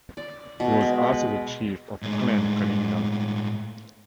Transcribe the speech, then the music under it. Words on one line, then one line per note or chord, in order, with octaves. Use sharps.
He was also the chief of Clan Cunningham.
D5
B2
G#3
B4
A2 G#3